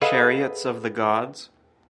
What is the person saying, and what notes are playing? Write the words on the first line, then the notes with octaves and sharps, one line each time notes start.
Chariots of the Gods?
G#4 A4 B4 D#5 F5 F#5